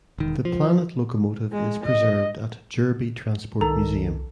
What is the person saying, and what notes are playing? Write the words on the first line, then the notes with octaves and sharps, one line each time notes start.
The "Planet" locomotive is preserved at Jurby Transport Museum.
E1 D#3
F3
G#3
D#5
C2 D#3 A4 A#5